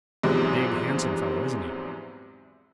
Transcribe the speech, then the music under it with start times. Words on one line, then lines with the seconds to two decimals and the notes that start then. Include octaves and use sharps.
Big, handsome fellow, isn't he?
0.23 A#1 E2 G#2 C3 F#3